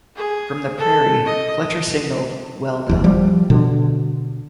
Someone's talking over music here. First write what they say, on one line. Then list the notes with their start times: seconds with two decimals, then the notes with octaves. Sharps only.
From the "Prairie", Fletcher signaled "Well done".
0.16 G#4
0.78 A4
1.26 D#5
2.89 F#1 E2
3.04 F3 G3
3.50 B2 D3